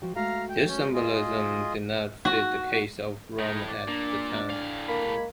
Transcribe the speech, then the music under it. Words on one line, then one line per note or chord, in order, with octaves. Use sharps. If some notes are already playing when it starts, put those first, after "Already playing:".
This symbolism did not fit the case of Rome at the time.
F3 F#4 G5
G#3 A3 F#4 F5 A#5
G5
C#4 C#5 G6
F4 G#4 D#5
F#4
A2 D#4 B5
D5 F#6
A#2 D4
A2 F5
A#3 B5
G#3